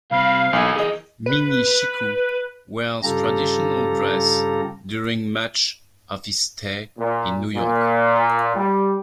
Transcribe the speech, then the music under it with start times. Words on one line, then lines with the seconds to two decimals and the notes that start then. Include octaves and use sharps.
Mimi-Siku wears traditional dress during much of his stay in New York.
0.11 C2 C4 F5 B5
0.53 B1 E3 A#3 G#5
0.76 E3 G#4 A#4 D#5 E6
1.26 B4
3.03 G2 C#3 F4 G4 A4 A#5
6.98 A#2
7.56 A#2
8.56 G3